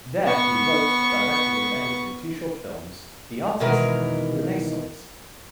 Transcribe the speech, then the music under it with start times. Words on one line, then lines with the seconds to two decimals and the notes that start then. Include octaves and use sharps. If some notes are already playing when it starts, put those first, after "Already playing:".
There he wrote, directed and edited two short films, "The Artist" and "Renaissance".
0.25 B3 C#6
3.60 B2 D#3 E3 G#3 A#4